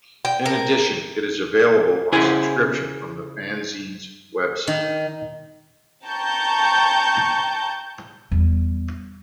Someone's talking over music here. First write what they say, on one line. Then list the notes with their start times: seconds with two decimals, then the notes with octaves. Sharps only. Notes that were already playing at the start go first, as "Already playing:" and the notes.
In addition, it is available on subscription from the fanzine's website.
0.25 G5
0.46 A#4
2.12 C#3 E4 G#4 C5 G#5
4.68 D#3
6.07 G5 A5 A#5 C#6 G6
8.31 E2 G3